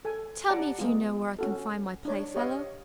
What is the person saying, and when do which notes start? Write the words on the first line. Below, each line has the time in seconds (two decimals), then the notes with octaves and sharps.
"Tell me if you know where I can find my playfellow."
0.05 A4 G#5
0.49 G4 D5 F#5 A5 A#5
0.79 G#3 B3 F4
1.39 C#4 F#4 A4
2.05 D4 D#4 C#5 D5
2.35 G4 C#5 D#5 F5